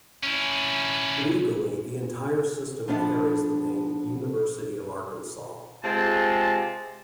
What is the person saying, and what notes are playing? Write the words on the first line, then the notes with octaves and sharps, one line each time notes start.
Legally, the entire system carries the name University of Arkansas.
C#4 E4
F3 B3 D4 E5 F#5 A5
C3 G#3 C4 F4 A5